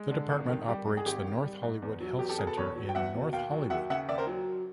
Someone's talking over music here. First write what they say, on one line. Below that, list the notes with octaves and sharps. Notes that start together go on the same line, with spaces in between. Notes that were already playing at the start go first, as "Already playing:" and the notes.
The department operates the North Hollywood Health Center in North Hollywood.
Already playing: G#3
D3
G#1
D#3
G3 G4
G#2
G#4
G#1 G4
D#3
G3
G#2
E2
F#3
E2 G4
G4 A4
B2 G#4 A#4
A4 B4
E2 B4 C#5
F#3
G5
E2 E5 F#5
B2
D#2 F5 G5
F#3
D#2 E5 F#5
C#3 E5 F#5
D#2 D5 E5
A#4 C5
F#3